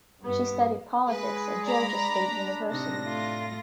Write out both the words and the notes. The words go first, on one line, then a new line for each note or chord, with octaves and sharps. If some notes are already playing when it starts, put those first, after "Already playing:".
She studied politics at Georgia State University.
G2 B3
G#3 G#4 B4
D5 A#5 B5
D4
A2 C3 D#4 A#6
A3 F4